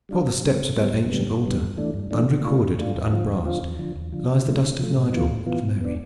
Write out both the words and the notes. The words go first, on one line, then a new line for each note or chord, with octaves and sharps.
Before the steps of that ancient altar, unrecorded and unbrassed, lies the dust of Nigel and of Mary.
G3 D4 F4
C3
G3 B3
C3
G3 B3
G2
D3 G3 B3
G2
D3 G3 B3
G2
E3 A3 D4
G2
E3 A3 D4
B2
A3 D4 F4
B2
A3 D4 F4
E2
D3 F3 C4 F4
E2
D3 F3 C4 F4
E2
D3 F3
E2
D3 F3
D3
F3 A3
D3
F3 A3
A2
E3 B3 F4
A2
E3 B3 F4
B2
B3 D4